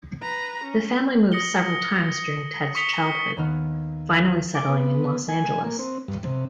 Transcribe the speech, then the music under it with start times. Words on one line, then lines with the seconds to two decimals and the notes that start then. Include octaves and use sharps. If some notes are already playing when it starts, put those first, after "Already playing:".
The family moved several times during Ted's childhood, finally settling in Los Angeles.
0.22 B4 A#5
0.64 C#4
1.32 D#6 A#6 C#7 F#7 G7
2.75 C#6 D#6 B6 C#7 F7 G7
3.37 D#2 D#3 B3 D#4 F6 F#6
4.55 D6
4.69 B3
5.29 G#5
5.64 A#3
5.79 C4
6.08 G2
6.24 C3